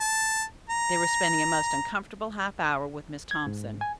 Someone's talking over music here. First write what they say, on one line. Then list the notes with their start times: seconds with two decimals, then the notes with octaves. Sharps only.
They were spending a most uncomfortable half hour with Miss Thompson.
0.01 A5
0.70 A#5
3.31 G#6
3.47 G#2
3.81 G#5